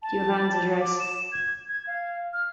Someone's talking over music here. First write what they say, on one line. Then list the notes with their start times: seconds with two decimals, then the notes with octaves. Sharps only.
Do you have Anne's address?
0.02 A5
0.81 D6
1.00 E7
1.32 G#6
1.68 G#6
1.87 F5
2.33 F6